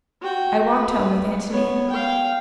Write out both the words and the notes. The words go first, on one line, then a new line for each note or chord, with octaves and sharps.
I walked home with Antonia.
F#4 G5
B4
B3 C#5
F5 G5